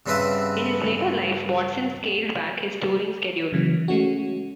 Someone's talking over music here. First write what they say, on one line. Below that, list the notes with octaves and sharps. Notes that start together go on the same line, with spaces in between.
In his later life, Watson scaled back his touring schedule.
G2 C#3 C4 B4 E5 F#5
C#3 E3 F#3 A#3
G#3 A3 C#4 F#4